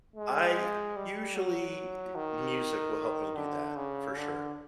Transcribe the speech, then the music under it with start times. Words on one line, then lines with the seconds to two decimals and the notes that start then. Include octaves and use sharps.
I usually, music will help me do that for sure.
0.16 G#3
0.96 G3
1.35 F#3
2.16 D#3
3.36 D3
3.76 C#3
4.16 D3